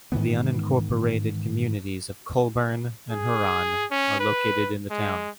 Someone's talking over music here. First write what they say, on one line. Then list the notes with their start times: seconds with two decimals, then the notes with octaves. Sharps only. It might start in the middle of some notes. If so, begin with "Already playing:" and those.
The unincorporated communities of Colburn and Huron are located in the town.
0.12 G#2 D#3 E3 B3
3.10 G#4
3.91 C#4
4.19 B4
4.90 G#3